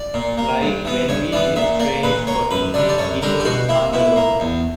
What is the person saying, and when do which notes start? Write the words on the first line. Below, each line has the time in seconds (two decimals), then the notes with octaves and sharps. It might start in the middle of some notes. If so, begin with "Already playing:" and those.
Like when we did "Trainspotting", it was Underworld.
Already playing: D5
0.14 A#2
0.37 A#3
0.61 G2
0.85 E3 B3
1.09 G2 C#5
1.32 E3 B3 D5
1.56 A#2 E5
1.79 A#3 D5
2.03 A#2 B4
2.27 A#3 C#5
2.51 F#2 B4
2.74 D3 G3 D5
2.89 D5
2.98 F#2 C#5
3.22 D3 G3 A#4
3.40 G4
3.45 B2 F#4
3.69 A#3 E4
3.93 B2 E4
4.16 A#3
4.40 E2